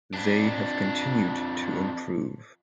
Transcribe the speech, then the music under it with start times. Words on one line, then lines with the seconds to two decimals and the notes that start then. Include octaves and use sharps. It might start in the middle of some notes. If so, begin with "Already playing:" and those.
They have continued to improve.
0.13 F2 D4